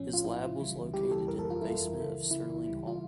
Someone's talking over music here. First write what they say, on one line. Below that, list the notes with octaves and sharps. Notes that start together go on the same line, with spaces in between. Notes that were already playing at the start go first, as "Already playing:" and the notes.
His lab was located in the basement of Sterling Hall.
Already playing: A#1 A2 F3 C#4
F4
A#1 A2 F3 E4
C#2 C#3 E3 G3
C#2 C#3 E3 G3 G4
A4
G1 F2 E3 G3 A#4
A4
F4
G1 F2 E3 G3 E4
C#2 C#3 E3
C#2 C#3 E3 E4
D2 C#3 E3 G3
F4